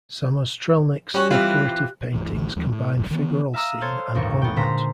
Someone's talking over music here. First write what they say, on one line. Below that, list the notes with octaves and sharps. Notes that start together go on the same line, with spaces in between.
Samostrzelnik's decorative paintings combine figural scene and ornament.
G3 C#4 F#4 G4 C#5 F#6
E3 C4 E4 F4
D1 B1 G#2 E3
A1 D2 E3
D#2 E3 F#3 G3
A2
D1 G1 F#2
D#3 E3 A3 B3
E5 F5 A#5 D#6 E6
A4 C5 C#5 F6 G#6 A6
G1 D#2 A2 A#4 C#6
B3 G5
A#2 D3 G#3 C5 A#5 B6